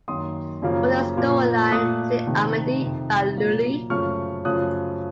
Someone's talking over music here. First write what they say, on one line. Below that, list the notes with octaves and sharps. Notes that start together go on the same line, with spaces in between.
For the storyline, see "Armide" by Lully.
F#2 D#3 A#3 C6 D#6
F#2 C#3 F3 A#3
A#2 F3 A#3
A#2 A3 D#6 F#6
C3 D#3 A3
F2 C3 D#3
A#2 F#3 A#3
F#2 C#3 F3 A3 C#6 F6
F#2 C#3 F3 A3 D#6 F#6